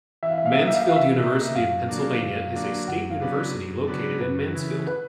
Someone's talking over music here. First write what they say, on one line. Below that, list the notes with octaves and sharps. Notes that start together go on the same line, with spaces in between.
Mansfield University of Pennsylvania is a state university located in Mansfield.
E3 E5
F5
E5
F5
E5
G3 A#3 D#4 F5
E5
F5
E5
E3 F5
E5
G3 A#3 D#4
F#2 F5
D3 F#3 A#3 D4
F#2
D3 F#3 A#3 D4
F#2 F#5
F5
C#3 F#3 B3 D4
F#2
C#3 F#3 B3 D4
F#2 B4
C#3 E3
B4